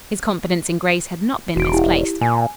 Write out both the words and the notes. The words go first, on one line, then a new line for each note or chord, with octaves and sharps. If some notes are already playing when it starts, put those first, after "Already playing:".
His confidence in Grace had not been misplaced.
E1 F#4 D7
E4 G4
A#2 G#5